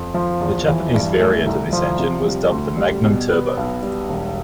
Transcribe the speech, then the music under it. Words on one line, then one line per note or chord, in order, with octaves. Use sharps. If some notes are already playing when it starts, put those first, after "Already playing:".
The Japanese variant of this engine was dubbed the "Magnum Turbo".
Already playing: F2
F3
E2
E3
G2
A3
C2
F3
C3
G3
D2
G3
B2
B3
B1
G3
E1